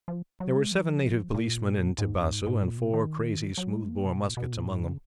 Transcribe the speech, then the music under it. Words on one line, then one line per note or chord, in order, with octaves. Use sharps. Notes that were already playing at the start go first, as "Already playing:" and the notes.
There were seven native policemen in Tibasu, and four crazy smooth-bore muskets among them.
F3
F#3
G#3
F3
A#2
G#2
F#2
G#2
G#2
A#2
B2
D#3
F#3
G#3
A#3
B2
A#2
B2
A#2
G#2
C#3